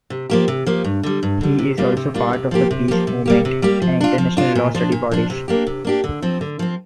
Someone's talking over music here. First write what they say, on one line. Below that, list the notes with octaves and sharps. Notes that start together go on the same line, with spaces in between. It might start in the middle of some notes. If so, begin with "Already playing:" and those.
He is also part of the peace movement and international law study bodies.
C3
F3 A#3 G4
C3
F3 A#3 G4
G2
D3 G3
G2
D3 G3
C3
G3 A#3 D4 F4
C3
G3 A#3 D4 F4
C3
F3 A#3 G4
C3
F3 A#3 G4
C3
G3 A#3 G4
C3
G3 A#3 G4
F3
D4 F4
F3
D4 F4
A#2
F3 D4
A#2
F3 D4
C3
A#3 D4 G4
C3
A#3 D4 G4
D3
F3 C4
D3
F3 C4